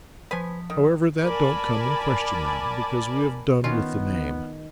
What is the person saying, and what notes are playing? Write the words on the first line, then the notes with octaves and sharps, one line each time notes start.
However, that don't come in question now, because we have done with the name.'
F3 B4 C5 G#5 B6
D#3
A#4 D5 G#5 A5 B5
D#3 B3 C#4 D#4 F4